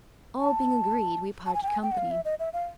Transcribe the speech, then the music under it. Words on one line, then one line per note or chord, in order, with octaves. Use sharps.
All being agreed, we parted company.
A5
A5
G#5
G5
G#5
G5
F#5
F5
E5
D#5
E5
F5